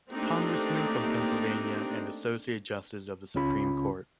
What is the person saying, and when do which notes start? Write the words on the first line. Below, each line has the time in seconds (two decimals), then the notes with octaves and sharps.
Congressman from Pennsylvania and Associate Justice of the Supreme Court.
0.11 A3 A#3 C4 D4 D#4 G4
3.35 C#2 C#3 C#4 F4 B5